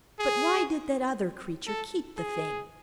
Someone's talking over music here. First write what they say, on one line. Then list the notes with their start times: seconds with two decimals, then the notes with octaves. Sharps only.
But why did that other creature keep the thing?
0.19 G#4
1.67 A4
2.17 G#4